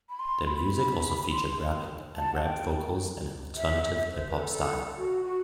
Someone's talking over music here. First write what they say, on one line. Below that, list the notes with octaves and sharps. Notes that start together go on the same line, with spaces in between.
Their music also featured rapping, and rapped vocals in an alternative hip hop style.
B5
C6
B5
C6
A5
F#5
G5
E5
E5
C5
B4
A4
F#4
F#4